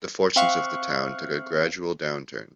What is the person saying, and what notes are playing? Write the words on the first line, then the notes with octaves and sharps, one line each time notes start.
The fortunes of the town took a gradual downturn.
C4 E5 F5 C#6 F#6